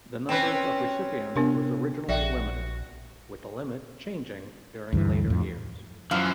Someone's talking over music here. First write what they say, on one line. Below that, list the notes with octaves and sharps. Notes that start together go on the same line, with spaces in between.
The numbers of recipients was originally limited, with the limits changing during later years.
C4 C#4 B4 G5
C3 B3 D4 A#4
A#1 F#4 D5 E5 G5
D2 G2 E3
F2 A2
F#2 E3 F3 F5